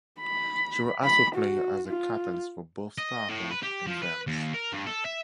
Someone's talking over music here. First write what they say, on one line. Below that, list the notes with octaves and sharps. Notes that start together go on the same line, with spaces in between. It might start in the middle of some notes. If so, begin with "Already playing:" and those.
She would also play as a catalyst for both Starhawk and Vance.
B5
B5
F#4
F4
D#5
A2
B4
G4
F3
B4
D#2
A#4
G2
A4
E5